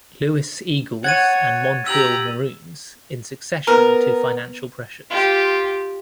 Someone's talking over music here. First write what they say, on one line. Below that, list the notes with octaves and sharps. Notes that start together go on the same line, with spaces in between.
Louis Eagles, and Montreal Maroons in succession to financial pressures.
C#5 F#5 G#6 A6 D#7
G4 A#5 E6 F#7
B3 A#4
F4 G4